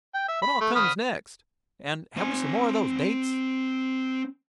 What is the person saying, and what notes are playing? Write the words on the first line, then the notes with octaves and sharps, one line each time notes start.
"What-all comes next, and have we some more of those dates?"
G5
E5
B5
A3
B5 D#6 F6
C4 G#5